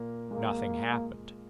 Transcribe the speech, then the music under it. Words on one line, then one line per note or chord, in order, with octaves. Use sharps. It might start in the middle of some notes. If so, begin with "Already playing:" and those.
Nothing happened.
Already playing: A#2 A#3
G#3 A#3